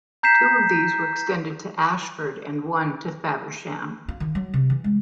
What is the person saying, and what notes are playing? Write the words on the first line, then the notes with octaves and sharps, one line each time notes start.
Two of these were extended to Ashford and one to Faversham.
A#5 G6 B6 C7 E7
F4
D#3
F#3
C3
E3
G#3